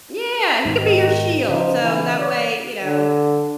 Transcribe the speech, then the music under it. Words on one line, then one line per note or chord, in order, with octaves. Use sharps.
Yeah, he could be your shield, so that way, you know?
G#2 B2 D#3
C#3 F3 D#4
B2 E3
C#5 D5
D3